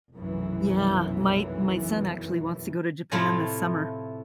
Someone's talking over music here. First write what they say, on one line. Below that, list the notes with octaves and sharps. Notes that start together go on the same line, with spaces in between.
Yeah. My my son actually wants to go to Japan this summer
F1 B1 F#2 E3
A2 C3 F3 A3 E4 F4